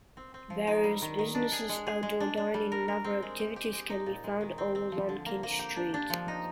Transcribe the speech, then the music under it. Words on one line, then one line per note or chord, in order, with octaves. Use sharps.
Various businesses, outdoor dining and other activities can be found all along King Street.
C4
C4
F3
D#4
G3
D#3
D#3
D4
G#4
G#3
G#4
G#3
D4
D4
G3
A#4
A#4
C4
G#3
G4
G4
G#3
D#4
A#2
G#3
D#3
C4
C4
F3
D3
A#3
A#3
G4
D4
D4
F3
D#4